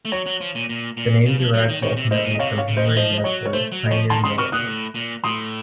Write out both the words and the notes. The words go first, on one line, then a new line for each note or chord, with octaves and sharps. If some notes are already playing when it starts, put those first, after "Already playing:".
The name derives ultimately from Henry Yesler, pioneer mill owner.
A3
F#3 C#5
F#3
F3
A#2
A#2
A#2
C#3
F3
F#3
D#3
D#3 C#5
C3
A2 C5 D#5
A#2
D#5
C3 C#5 F5
C#5 F5
C#3
C5 D#5
D#3
F3 C5 D#5
D#5
F#3 C#5
C#5
A3 C5
F#3
D#5
F3 C#5
D#3 A5 C6
C#3 C6 D#6
C3 C#6 F6
A#2 D#6 F#6
A2
A#2
A2 C6 D#6